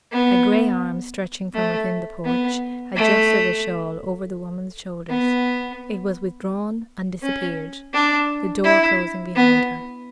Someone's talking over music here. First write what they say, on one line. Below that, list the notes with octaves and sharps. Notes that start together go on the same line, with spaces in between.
A gray arm, stretching from within the porch, adjusted the shawl over the woman's shoulders; it was withdrawn and disappeared, the door closing behind her.
B3
A3
B3
A3
B3
C#4
D4
E4
B3